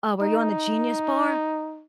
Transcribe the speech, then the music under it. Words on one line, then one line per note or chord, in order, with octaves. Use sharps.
Oh, were you on the Genius Bar?
D#4